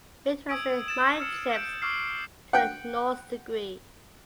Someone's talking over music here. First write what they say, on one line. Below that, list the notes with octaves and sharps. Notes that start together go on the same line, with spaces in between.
Midwestern mindtrips to the nth degree.
D#6 E6 G#6 D7 D#7
G#6 A6 E7
E6 F6 C7 C#7 E7
G6 D7
C#6 D6 E6 F6 C7
F#5 G5